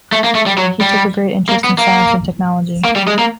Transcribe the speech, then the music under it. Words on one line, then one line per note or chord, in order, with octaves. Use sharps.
He took a great interest in science and technology.
A3
A#3
A3
G3
F#3
G3
A#3
B3
A#3
A#3
G3
G#3
A#3